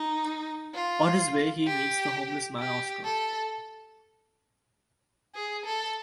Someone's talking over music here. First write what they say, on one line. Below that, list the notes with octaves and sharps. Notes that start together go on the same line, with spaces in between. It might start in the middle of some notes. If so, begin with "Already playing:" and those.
On his way he meets the homeless man Oscar.
Already playing: D#4
F4
G4
G4
A4
G#4
A4